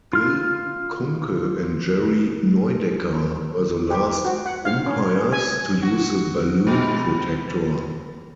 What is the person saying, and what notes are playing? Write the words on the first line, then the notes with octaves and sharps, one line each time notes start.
Bill Kunkel and Jerry Neudecker were the last umpires to use the "balloon" protector.
F4 F6
G4
F#4
F#5
F5
C#4
G#5
F#4
B2 G#3 C4